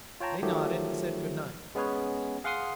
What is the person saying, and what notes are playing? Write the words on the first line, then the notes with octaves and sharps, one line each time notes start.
They nodded and said good-night.
F4 C#5 G5 A5 A#5
D#3 F3 F#3 A3 G4
G#3 B3 C#4 G#4 B4 C#5
G#4 F5 F#5 C6 D#6 C7